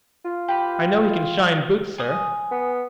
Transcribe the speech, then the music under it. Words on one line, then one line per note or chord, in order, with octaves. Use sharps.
"I know he can shine boots, sir."
F4
G4 B4
G#5 D#6
B3